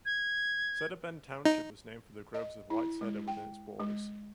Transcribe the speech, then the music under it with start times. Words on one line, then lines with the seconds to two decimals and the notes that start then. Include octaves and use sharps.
Cedarbend Township was named for the groves of white cedar within its borders.
0.06 G#6
1.45 D#4
2.34 D#5
2.70 E4
3.01 G#3
3.28 G5
3.80 G#3